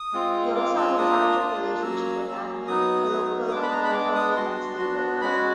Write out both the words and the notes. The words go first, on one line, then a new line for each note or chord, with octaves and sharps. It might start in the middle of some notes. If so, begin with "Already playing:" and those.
He also has a tragic relationship with Annie, a local mentally unstable girl.
Already playing: D#6
G#3 C4 F4
G#3 C4 F4 D6
E6
A#3 D4 F4 D#6
A#3 D4 F4
F#3 A#3 C#4 E6
F#3 A#3 C#4
F#3 B3 D#4 D#6
F#3 B3 D#4
D#6
G#3 B3 D4 D6
B5
A5
A#5
B5
G#3 B3 D4 D6
D#6
B3 D4 F#4 C6
B3 D4 F#4
G#3 C#4 F#4 B5